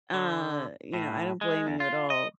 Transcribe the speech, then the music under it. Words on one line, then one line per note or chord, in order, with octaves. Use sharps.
uh you know, I don't blame you at all.
D3
A2
G#3
E2
F4
D#5